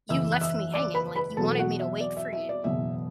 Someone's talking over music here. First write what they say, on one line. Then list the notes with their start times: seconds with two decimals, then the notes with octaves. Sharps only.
"You left me hanging, like, you wanted me to wait for you,
0.09 F#1 E2 E3 E5 E6
0.32 F#6
0.41 E5 E6
0.74 D5 D6
0.94 B4 B5
1.16 B4 B5
1.37 E2 B2 F#3 A4 A5
1.59 F#4 F#5
1.79 E5
2.00 D5
2.17 E5
2.33 E5
2.49 D5
2.64 F#1 E2 B2 F#3 E5